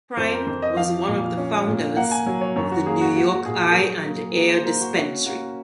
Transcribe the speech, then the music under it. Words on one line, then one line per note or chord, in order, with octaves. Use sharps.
Prime was one of the founders of the New York Eye and Ear Dispensary.
F2 C5
A#4
F2 C5
D#5
F3 F5
A#2
C#4
A#2
A#3 F#5
G#5
F#3
C#5
F#2 C#5
F#4
A#3 G#4
F#4
G#3 F#4
F#4
A#2 G#4
A#4
F#3 G#4
A#3
A#3 G#4
C5
A#3 A#4
F#4
C#4 F#4
A#3 F#4